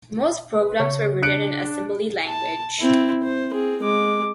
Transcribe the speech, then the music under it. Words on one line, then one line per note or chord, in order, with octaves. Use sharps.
Most programs were written in assembly language.
B4
C#3 C#5
D4 F#6 C#7 D7
A5
C4 E4
C5
C4 G#4
G#3 D6